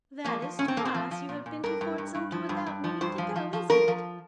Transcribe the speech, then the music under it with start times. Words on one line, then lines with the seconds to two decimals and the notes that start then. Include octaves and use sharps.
"That is twice you have been to Fort Sumter without meaning to go, isn't it?"
0.24 F3 A#3
0.42 F3
0.59 A#2 C#4
0.68 C4
0.77 A#2 A#3
0.85 C4
0.94 F3
1.11 F3
1.29 A#2
1.46 A#2
1.63 G2 A#4
1.81 G2
1.98 G2
2.15 G2
2.32 F3
2.49 G2
2.66 G2
2.84 F3
3.01 G2 C5
3.18 F3
3.36 F3
3.53 F3
3.70 F3 A#4
3.88 F3